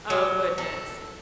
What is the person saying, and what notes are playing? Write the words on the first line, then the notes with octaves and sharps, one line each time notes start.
Oh, goodness.
F#3
A4